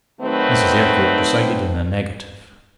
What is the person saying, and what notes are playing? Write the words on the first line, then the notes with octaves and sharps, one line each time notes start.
Mrs. Eyrecourt decided in the negative.
D#3 F#3 A3 C4 D#4 B4